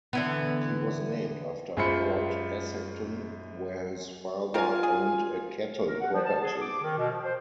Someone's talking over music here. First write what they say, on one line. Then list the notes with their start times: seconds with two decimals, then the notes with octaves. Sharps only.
He was named after Port Essington, where his father owned a cattle property.
0.13 D3 E3 B3
1.77 F#2 G#3 F4 C5 B5 C#7
4.54 C4 F4 A#4 F5 G#5
4.83 G#4
5.87 A#4
6.00 F#5
6.12 F3
6.25 A5
6.41 G#4
6.61 D6
6.82 D#3
6.97 B2
7.10 F3
7.23 C5